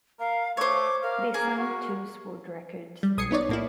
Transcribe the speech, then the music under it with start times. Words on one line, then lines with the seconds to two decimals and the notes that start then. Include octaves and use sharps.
They signed to Sword Records.
0.20 A#4 F5
0.57 A3 C5 C#5 D6
1.03 A#4 F5
1.34 A#3 G#4
1.58 F#4
3.03 G3
3.17 B1 D#6 G#6 C7 C#7
3.31 B3 D#4 C#5 D5
3.49 A2 A#3 E4